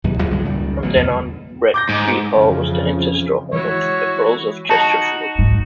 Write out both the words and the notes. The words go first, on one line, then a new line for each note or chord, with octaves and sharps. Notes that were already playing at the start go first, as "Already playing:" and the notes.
From then on, Bretby Hall was the ancestral home of the Earls of Chesterfield.
D#2 B2 F#3
D1 E2
C#2 G2 D#3 G#3
C#2 A#2 D#3 G3
A1 D3 F#3 G#3
E2 B2
D6 G6 A#6
G#2
F2 C#3 E3 F3
E3 G#3 E4 F#4 C#5
D#4 F#4 A5
G#2